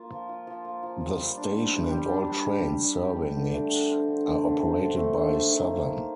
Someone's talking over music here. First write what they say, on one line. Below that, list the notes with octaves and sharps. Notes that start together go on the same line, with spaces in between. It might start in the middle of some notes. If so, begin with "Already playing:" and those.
The station and all trains serving it are operated by Southern.
Already playing: A#3 F4
F3
F4
F3
A#3
F3
F4
G3
D4
G3
G4
G3
D4
G3
G4
G3
D4
G3
G4
D3
A3
D3
C4
D3
A3
D3
C4
D3
A3
D3
C4
D#3
A#3
D#3